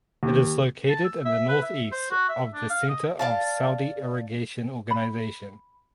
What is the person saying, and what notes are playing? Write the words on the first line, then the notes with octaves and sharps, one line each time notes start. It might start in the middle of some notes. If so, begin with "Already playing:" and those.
It is located in the northeast of the center of Saudi Irrigation organization.
D#2
A5
E6
E5
B4
E5
C5
F#4
E5
D4
F5
D#5
D5 F5 A5
B5